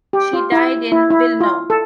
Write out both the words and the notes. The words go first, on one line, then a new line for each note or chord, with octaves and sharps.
She died in Wilno.
G4
F4
E4
E4
E4
F4
A4